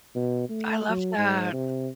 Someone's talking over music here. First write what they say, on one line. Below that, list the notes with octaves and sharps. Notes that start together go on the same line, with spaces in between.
I love that.
B2
A3
F#3
G#2
C3